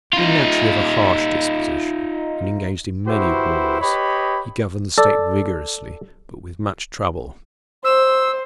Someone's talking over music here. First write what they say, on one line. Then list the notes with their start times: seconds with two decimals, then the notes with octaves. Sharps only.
Being naturally of a harsh disposition, and engaged in many wars, he governed the state vigorously, but with much trouble.
0.13 D#4 F4
3.07 E4 F#4 G4 B4 C5
3.80 G4 B4 C#5 D#5 B5
4.98 A4 D5
7.84 C5 E6